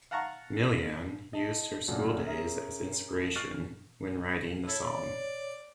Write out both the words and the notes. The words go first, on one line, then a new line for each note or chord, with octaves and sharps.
Milian used her school days as inspiration when writing the song.
F5 F#5 A5 A#5 C#6
D#5 A5
F#2 A#2 C#3 F#3 A3 D4
C#4 G#4 A#4 E5
F3
C#6 F6 F#6 A6 C7 D7
E4 A4 C#5
D5